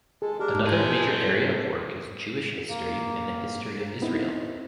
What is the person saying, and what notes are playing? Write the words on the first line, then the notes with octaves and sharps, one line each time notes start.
Another major area of work is Jewish history and the History of Israel.
G#3 G#4 A4
D4 G4 A#4
D#4 G#4 A4 C5 G#5
F#3 A4
A#3
B3 C4 D#4 E4